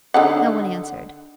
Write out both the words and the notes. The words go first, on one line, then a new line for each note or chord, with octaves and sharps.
No one answered.
D3 D#4 F#5